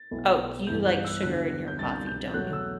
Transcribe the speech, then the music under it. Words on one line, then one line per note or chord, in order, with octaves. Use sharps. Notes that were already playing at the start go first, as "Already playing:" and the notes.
Oh, you like sugar in your coffee, don't you?
Already playing: A6
B1 B2 A3 E4
G2 E3 B3 E4 G6
F#6
E6
E2 D3 F#3 F#6
G6
C2 B2 G3 D4 A6
G6
E2 B2 F#3 A3 F#6
E6